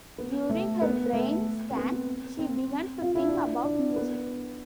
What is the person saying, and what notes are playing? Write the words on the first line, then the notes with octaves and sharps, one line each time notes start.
During her brain scan, she began to think about music.
B3
A3
B3
A3
C4
B3
C4
F4
E4
D4
E4
D4
B3